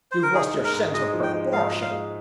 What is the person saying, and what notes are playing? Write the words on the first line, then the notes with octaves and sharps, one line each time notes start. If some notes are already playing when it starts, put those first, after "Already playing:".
You've lost your sense of proportion.
C5
A#4
D#4 G#4
G#3
A#4
G#2
G#3 D#5
F3
G5
G#3
G#2 F5
G#3
F5
G#3